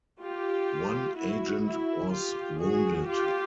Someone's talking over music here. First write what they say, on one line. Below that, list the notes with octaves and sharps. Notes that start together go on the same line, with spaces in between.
One agent was wounded.
F4 G4
E4 F#4
E4 F#4
F4 G4
F#4 G#4
F4 G4